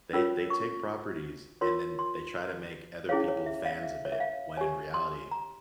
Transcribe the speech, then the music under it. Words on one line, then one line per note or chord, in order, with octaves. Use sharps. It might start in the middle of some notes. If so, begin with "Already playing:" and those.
They they take properties and then they try to make other people fans of it, when in reality,
C#4 F4 A#4 C#5 E6
C#6
F4 A#4 C#5 C6
C6
C#4 E4 G#4 C#5 F5
C#5
E5
F5
E5
C#5
E5
F5
G4 C#5 G#5
C6
A#5